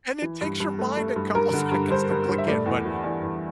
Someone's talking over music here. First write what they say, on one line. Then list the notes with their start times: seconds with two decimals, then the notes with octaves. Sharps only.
and it takes your mind a couple seconds to click in but
0.22 E3
0.41 G2
0.60 G2
0.79 A3
0.97 A3
1.16 G2
1.35 G2 A#4
1.53 D3
1.72 G2
1.90 G2 C5
2.10 G2
2.29 G2
2.38 E5
2.48 A3 D5
2.66 E2
2.85 E3
3.04 E2 D5
3.23 E2